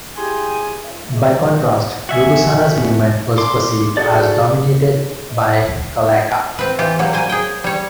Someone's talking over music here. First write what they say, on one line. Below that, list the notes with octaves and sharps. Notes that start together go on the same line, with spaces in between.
By contrast, Rubusana's movement was perceived as dominated by Gcaleka.
E4 G4 G#4 G#5 C6
F#4 E5 G#5
C6 D6
F#4 G#4 A4 D5
C4 B4
E3 F4 G4
F#3 G3 A#3
A#3 C5 G#5
G#4 G5
G3 C#5